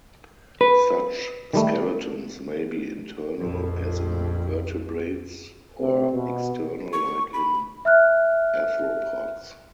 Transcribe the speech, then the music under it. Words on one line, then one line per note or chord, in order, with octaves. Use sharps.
Such skeletons may be internal, as in vertebrates, or external, like in arthropods.
B4
D#3 G3 A3
A#1 F2
C3
B2
C#6
B5
E5 F6 F#6